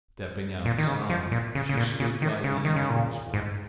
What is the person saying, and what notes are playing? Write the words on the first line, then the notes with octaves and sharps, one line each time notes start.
Stepping outside, she stood by the entrance way.
A#2
D#3
C#3
F3
A#2
C#3
C#3
A#2
C#3
D#3
C#3
D#3
C#3
A#2
G#2